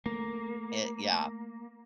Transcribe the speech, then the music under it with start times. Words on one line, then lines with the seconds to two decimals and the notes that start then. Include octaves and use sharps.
it yeah.
0.06 A3 A#3